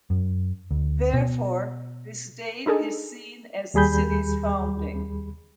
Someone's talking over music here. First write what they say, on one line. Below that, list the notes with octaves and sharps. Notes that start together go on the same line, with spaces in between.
Therefore, this date is seen as the city's founding.
F#2
D2
B2
D4 D#4 G#4 A4
D#2 G3 G#4 B5 G6